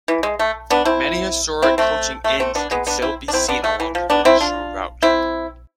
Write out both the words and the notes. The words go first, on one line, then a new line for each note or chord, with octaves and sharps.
Many historic coaching inns can still be seen along the traditional route.
E3
G#3
A3
B3 D4
C4 E4
C4 E4
A3 C4
A3
A3 C4
B3 D4
G#3 B3
B3 D4
C4 E4
D4
C4 E4
B3 D4
A3
E3
F3
B3 D4
C4 E4
D4 F4
C4 E4